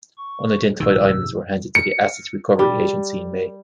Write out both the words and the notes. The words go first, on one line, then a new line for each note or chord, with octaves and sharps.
Unidentified items were handed to the Assets Recovery Agency in May.
C#6
A#1 G#2 C3 D#3 E6
C#7
G3